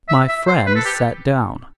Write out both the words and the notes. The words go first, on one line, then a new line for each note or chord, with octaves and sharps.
My friend sat down.
E5
E5
C5
B4
A4
G4